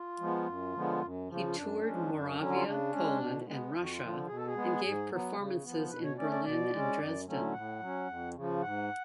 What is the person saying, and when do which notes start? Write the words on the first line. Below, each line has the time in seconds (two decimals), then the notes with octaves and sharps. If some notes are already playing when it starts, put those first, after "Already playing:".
He toured Moravia, Poland, and Russia, and gave performances in Berlin and Dresden.
Already playing: F4
0.20 F3 G#3 B3
0.46 F#2
0.74 D3 F3 G#3 B3
1.01 F#2
1.28 C#3 F3
1.48 F4
1.55 F#2 D4
1.82 F3 G#3 C#4
2.09 F#2
2.37 D3 F#3 C#4
2.52 F4
2.64 C#3 D4
2.91 G#3 C#4
3.19 B2
3.45 G#3 B3
3.73 F2 F4
3.82 F#4
3.91 F4
4.00 D3 F3
4.27 B2 G#4
4.37 A4
4.46 G#4
4.54 G#3 B3
4.82 G#2
5.09 F#3 B3
5.36 C#3
5.63 F3 B3
5.90 B2 B4
6.03 C#5
6.17 A3 C#4 D5
6.31 D5
6.44 B2 D5
6.72 G#3 C#4
6.98 F#2
7.26 D3 F#3 A3 C#4
7.53 A2 F#5
7.80 F#3 C#4
8.08 F2
8.35 C#3 F3
8.62 G#2 F#5